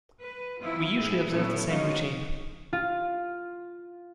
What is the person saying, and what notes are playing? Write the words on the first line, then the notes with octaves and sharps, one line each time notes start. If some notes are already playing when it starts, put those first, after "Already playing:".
We usually observe the same routine.
B4
F3 B3 E4 F4
A2 E4 G#4
A#2 F#3 B3 C#4 E4 A4
F3 G#3 C#4 D#4 F4 F#4
F4